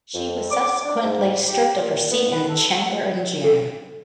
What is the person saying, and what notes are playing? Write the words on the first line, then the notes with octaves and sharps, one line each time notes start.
She was subsequently stripped of her seat in the Chamber in June.
F2
D6
D4
G#2
G4
A#2
B3
B4
A4
A4